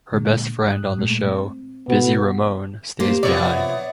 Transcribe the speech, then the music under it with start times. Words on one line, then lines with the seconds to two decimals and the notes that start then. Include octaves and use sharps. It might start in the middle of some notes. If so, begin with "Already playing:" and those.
Her best friend on the show, Busy Ramone, stays behind.
0.13 A#2 D3 G#3
0.67 G#2 D#6 F#6
0.98 A#2 G#3 A3
1.28 C4
1.88 B2 B3 F#4 A4
3.00 A#3 G4 C5
3.23 C3 F3 B3 C#5 D5
3.45 E5